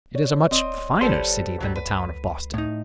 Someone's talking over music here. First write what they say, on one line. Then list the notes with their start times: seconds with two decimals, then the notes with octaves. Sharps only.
It is a much finer city than the town of Boston.
0.15 C#5 D5
0.51 D#1 C4 D#5
1.01 G1 G3 A4 B4 C5 C6
1.60 C#2 F#3 G3
1.75 B4
2.54 A2 D#4